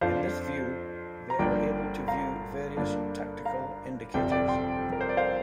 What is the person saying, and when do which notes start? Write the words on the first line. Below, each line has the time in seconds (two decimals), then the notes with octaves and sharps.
In this view, they are able to view various tactical indicators.
0.01 F2 F3 D4 F4 C5 F5
1.30 A#5
1.39 G1 G2 F3 A#3 D4 D5 G5
2.08 F5 A#5
2.77 G2 D3 A#3 D4 F4
3.45 F5 A#5
4.14 G1 F2 C3 G3 C4 D5 G5
4.32 D5 G5
4.48 G5 C6
4.92 A#4
5.01 C5
5.09 D5
5.17 C5 F5